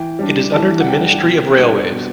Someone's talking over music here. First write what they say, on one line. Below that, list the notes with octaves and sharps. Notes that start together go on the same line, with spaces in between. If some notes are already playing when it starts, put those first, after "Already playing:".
It is under the Ministry of Railways.
Already playing: E3 G5
G3 D4
E3 A5
F#5
G3 D4 G5
B2
G3 B3 D4
B2